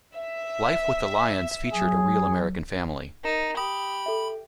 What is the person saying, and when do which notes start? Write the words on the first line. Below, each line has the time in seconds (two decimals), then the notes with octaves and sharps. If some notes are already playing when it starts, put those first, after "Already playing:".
"Life with the Lyons" featured a real American family.
0.16 E5
1.73 F#3 G#4
3.24 D#4 A#4 A#5 E7
3.57 G4 B5 D#6
4.06 A4 E5